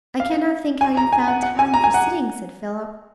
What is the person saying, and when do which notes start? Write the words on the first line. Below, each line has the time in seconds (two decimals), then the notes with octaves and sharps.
'I cannot think how you found time for sitting,' said Philip.
0.20 F5
0.81 G#5
0.97 A#5
1.13 G#5
1.28 F#5
1.43 F#5
1.59 G#5
1.74 A#5
1.84 G#5
1.94 F#5